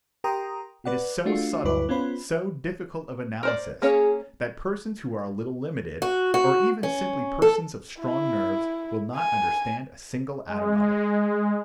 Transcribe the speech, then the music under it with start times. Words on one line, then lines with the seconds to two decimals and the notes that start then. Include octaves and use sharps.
It is so subtle, so difficult of analysis, that persons who are a little limited, or even simply persons of strong nerves, will not understand a single atom of it.
0.24 G4 A#4 G5 A#5 C6 D#6
0.85 B4 D5 F#5
1.26 A3 D4 F4 F#4
1.64 D2 G2 F#3 E4 B4 D6
1.89 B3 C#4 F4 C5 B5
3.43 A#4 C5 D5
3.82 A#3 C#4 G#4 C#5
6.02 F#4
6.34 F#4
6.83 C#4
7.42 A4
8.00 E4
9.14 G#5
10.47 G#3